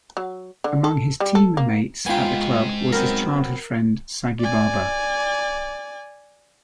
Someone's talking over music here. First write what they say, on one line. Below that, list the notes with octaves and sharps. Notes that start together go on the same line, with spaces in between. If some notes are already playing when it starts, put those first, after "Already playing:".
Among his team mates at the club was his childhood friend Sagibarba.
F#3
D3
A4
G3
A4
A#3
G#2 B3 F4 G5 G#5
F#3 B3 C4 A#4
D5 G#5